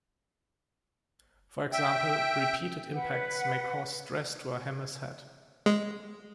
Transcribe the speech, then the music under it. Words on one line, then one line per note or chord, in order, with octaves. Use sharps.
For example, repeated impacts may cause stress to a hammer's head.
E5 G5
B4 F#5
G#3